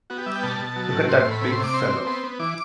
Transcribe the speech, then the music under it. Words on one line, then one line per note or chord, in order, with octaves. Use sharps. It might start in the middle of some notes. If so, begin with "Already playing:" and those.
Look at that big fellow.
B3 F#4
G4
G3 E5
G5
B2 A5
B2
F#3
A2
A2 C6
C6
A2
B5
C3 B5
C6
C3
D6
C4 C6
C4
B3 C6
B3
E3 D6